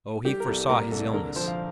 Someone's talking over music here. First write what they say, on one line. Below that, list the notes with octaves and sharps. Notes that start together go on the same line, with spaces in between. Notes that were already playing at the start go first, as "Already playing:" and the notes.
Oh, he foresaw his illness!
G3 G4
A#4
C2 A4
A#2 A#4
C2 A4
D3 A#4
F3 C5
F5